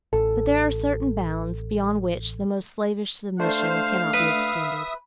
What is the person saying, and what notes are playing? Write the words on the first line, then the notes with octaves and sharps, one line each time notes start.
But there are certain bounds, beyond which the most slavish submission cannot be extended.
A1 A4
A3 D4 C5 F5
B4 E5 D#6